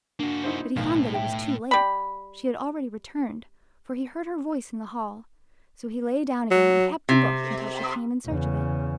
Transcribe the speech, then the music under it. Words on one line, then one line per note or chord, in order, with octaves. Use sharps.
But he found that it was too late; she had already returned, for he heard her voice in the hall; so he lay down again, and kept the book until she came in search of it.
A#3 D4 F#4
D#4 E4 C5
B1 A2 D#3 F5
A3 E5 G5
G3 B5
F#3
C3
E2 C#3